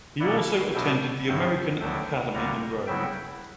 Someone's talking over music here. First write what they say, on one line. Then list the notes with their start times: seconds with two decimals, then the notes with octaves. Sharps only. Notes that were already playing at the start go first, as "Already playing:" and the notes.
He also attended the American Academy in Rome.
0.20 B2 A#3 E4 D5 F#5
0.74 B2 F#3 B3 D4 E5 G5
1.27 G2 F#3 B3 E4 E5 G5
1.80 D2 D3 F#3 B3 E5 G5
2.33 D2 D3 G3 A#3 F#5 A#5
2.87 C#3 F#3 B3 E4 E5 G5